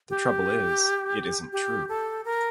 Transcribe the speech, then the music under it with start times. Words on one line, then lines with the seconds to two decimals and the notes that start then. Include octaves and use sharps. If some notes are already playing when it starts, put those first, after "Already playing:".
The trouble is, it isn't true.
0.10 G4
1.53 G4
1.89 A4
2.25 A#4